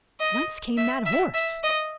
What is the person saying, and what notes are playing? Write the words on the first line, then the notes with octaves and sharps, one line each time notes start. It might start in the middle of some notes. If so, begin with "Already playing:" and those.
Whence came that horse?
D#5
E5
E5
E5
D#5